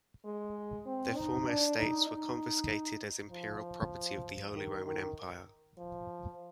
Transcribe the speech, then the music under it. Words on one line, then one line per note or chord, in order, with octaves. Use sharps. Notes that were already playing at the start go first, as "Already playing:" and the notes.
Their former estates were confiscated as imperial property of the Holy Roman Empire.
G#3
C4
D#4
D4
D#4
D#4
F3
D#3
D#3
F3